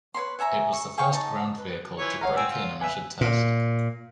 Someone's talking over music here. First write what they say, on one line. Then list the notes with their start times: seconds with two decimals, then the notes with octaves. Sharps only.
It was the first ground vehicle to break in a measured test.
0.14 B4 C#5 B5 C6
0.39 C#5 E5 G#5 A#5
0.73 C#6
0.98 G#4 F5 G5 C#6
1.12 D#4 A5 C#6
1.58 B4
1.97 E3 F3 C#5
2.21 C#5 F5 F#5 A#5
2.36 C4 G#5 E6
2.51 F4
2.81 B4 E5 G#5
3.21 A#2